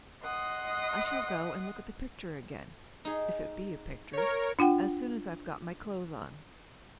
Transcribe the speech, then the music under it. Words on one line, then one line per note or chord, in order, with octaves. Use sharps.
I shall go and look at the picture again--if it be a picture--as soon as I've got my clothes on.
D#5 F#5 C6 D#6
D#4 G#4
A#4 C#5
D4 F4 F#5 G5